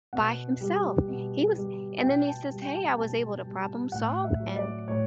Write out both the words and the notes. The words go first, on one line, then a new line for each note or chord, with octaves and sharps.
by himself. He was and then he says, "Hey, I was able to problem solve," and
B2 F#5
G3
B2
G3
B2 G5
A5
G3
G5
A5
B2 A5
G3
A5
A2 F#5
E5
F#3
D5
A2 C#5